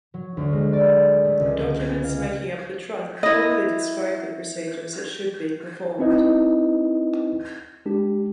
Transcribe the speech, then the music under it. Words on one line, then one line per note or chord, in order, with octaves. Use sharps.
Documents making up the trunk formally describe the procedure as it should be performed.
F#3
D2
G#3
D5
A3
C#2
G#5
F5
E4 D#5
C4 D#4 E4 B4 D#5
G#3 D4 G4